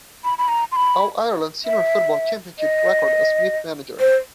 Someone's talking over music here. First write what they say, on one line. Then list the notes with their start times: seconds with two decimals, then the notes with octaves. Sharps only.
All-Ireland Senior Football Championship record as Meath manager.
0.24 B5
0.38 B5
0.48 A#5
0.72 C6
0.76 B5
1.65 E5
2.59 D#5
4.00 C5